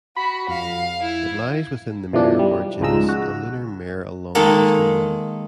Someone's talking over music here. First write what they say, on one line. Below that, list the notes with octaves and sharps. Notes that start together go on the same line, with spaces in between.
It lies within the Mare Marginis, a lunar mare along the eastern limb.
F#4 B5
F2 F5
E4
B2 E3 F3 A3 D4
G3
C#2 G#2 F3 G#3 A#5 E6
F#4
D#3 G#3 A#3 A4